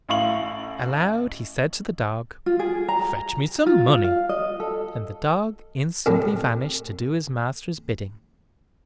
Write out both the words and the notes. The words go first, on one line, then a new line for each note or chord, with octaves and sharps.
Aloud he said to the dog, "Fetch me some money," and the dog instantly vanished to do his master's bidding.
A1 E4 F5 C#6 F#7
F4
G#4
A#5
F4
F5
D#5
A4
C2 A2